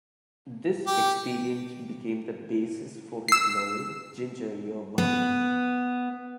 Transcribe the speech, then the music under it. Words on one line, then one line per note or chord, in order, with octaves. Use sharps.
This experience became the basis for his novel "Ginger You're Barmy".
G4
E6 C7
B3